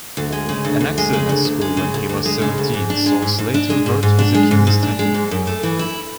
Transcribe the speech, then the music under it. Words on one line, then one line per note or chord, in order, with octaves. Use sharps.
An accident at school when he was seventeen saw Slater hurt his Achilles tendon.
D2
G#3
C#3
D2
D2
G#3
C#3
D2
D2
G#3
C#3
D2
D2
G#3
C#3
D2
G#2
D4
G#3
G#2
G#2
D4
G#3
G#2
G#2
D4
G#3
G#2
G#2
D4
G#3
G#2
F#2
A3
E3
E4